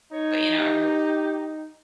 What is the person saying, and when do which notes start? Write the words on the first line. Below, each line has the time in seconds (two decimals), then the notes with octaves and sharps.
but, you know, every
0.12 D#4 C#5
0.57 G4